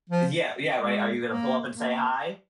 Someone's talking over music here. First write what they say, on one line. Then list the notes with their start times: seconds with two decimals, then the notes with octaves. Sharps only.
Yeah, yeah, right. Are you gonna pull up and say hi?
0.09 F3
0.79 G#3
1.25 A#3
1.71 A#3